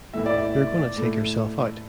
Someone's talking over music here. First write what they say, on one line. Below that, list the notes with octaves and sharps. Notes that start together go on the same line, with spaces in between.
You're gonna take yourself out.
A2 E3 A3 E5
D5
E5
A2 A3